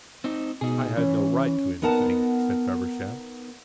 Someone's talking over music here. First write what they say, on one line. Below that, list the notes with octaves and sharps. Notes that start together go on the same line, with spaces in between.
"I had no right to anything," said Feversham.
C4 D#4
B2 D#4 G#4
E3 C#4
B3 D#4 A#4 F#5 A5